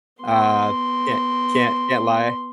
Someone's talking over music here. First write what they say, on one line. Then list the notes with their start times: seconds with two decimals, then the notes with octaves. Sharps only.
Uh, can't can't can't lie.
0.23 B3 C6